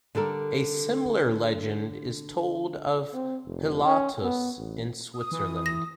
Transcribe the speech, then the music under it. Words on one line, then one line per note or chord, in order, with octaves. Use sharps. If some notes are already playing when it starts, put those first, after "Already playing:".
A similar legend is told of Pilatus in Switzerland.
D3 G3 A4 A#4
C4
F1
C#4
B3
A1
D#6
E3
A#6